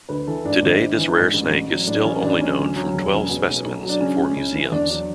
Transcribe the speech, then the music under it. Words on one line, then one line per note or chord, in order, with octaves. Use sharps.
Today this rare snake is still only known from twelve specimens in four museums.
D2 B4
E3 A4
G#2 D4
G#1
G#1
E3
G#2
A1
A1
F#3
A2 D4
A1 C#4
A1 D4
F#3 C#4
D2
F#3
E1
C#3
B2
B1
B1
F#3
D4
C#3 C#4
C#2
C#2
E3
E2 D4
F#3 D4